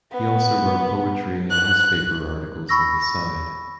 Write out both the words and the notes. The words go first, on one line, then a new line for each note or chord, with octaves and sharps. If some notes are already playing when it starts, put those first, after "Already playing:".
He also wrote poetry and newspaper articles on the side.
B3
F#6
B5 C#6 E6 A#6